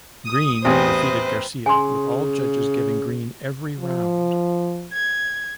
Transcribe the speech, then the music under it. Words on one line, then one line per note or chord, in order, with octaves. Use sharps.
Green defeated Garcia with all judges giving Green every round.
D#6
A1 E2 C4 B4 C5
C#3 G#5 C6
F3
G#6